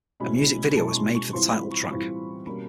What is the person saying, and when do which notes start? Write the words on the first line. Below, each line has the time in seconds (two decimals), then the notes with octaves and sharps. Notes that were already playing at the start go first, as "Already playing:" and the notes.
A music video was made for the title track.
0.20 B2 G#3 C#4 E4 B5
0.76 B2 G#3 C#4 E4 A5
0.88 C#6
0.95 C6
1.15 C#6
1.33 A2 E3 G3 C4 F4 C6
1.52 B5
1.71 C#6
1.90 A2 E3 G3 C4 F4 C#6
2.46 B2 G3 A#3 C#4 B5